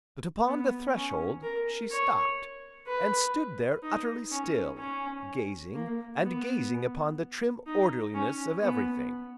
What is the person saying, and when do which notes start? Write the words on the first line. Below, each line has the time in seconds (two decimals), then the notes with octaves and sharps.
But, upon the threshold, she stopped, and stood there utterly still, gazing, and gazing upon the trim orderliness of everything.
0.47 B3
0.96 C#4
1.43 A#4
1.91 C#5
2.87 B4
3.83 D#4
4.31 C#4
4.78 C#4
5.74 A#3
6.22 B3
7.67 D#4
8.15 C#4
8.63 B3